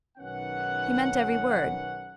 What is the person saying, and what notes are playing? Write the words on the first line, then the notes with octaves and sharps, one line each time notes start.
He meant every word.
B1 D#3 B3 C#4 F#5